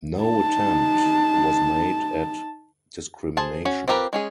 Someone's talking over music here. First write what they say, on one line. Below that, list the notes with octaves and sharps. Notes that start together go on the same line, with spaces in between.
No attempt was made at discrimination.
D#4 A5
G#4 C5 A5
C#4 F#4
C4 F4 G4 A#4 B4
G#3 C#4 G#4